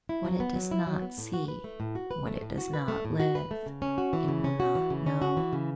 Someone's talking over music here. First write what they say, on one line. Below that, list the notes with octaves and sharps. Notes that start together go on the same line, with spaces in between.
What it does not see, what it does not live, it will not know.
E4
F#3
B3
F#3
E4
F#3
B3
A2
F#4
B4
A3
A2
F#4
B4
A3
A2
F#4
B4
A3
A2
F#4
B4
A3
C#3
C#4
F#4
E3
C#3
C#4
F#4
E3
C#3
C#4
F#4
E3
C#3